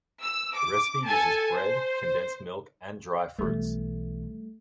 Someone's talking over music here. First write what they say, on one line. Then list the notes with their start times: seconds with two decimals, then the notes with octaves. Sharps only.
The recipe uses bread, condensed milk, and dry fruits.
0.22 E6
0.55 D6
1.04 A4 G#5 A5
1.53 C5
3.39 B1 E3 G3 A3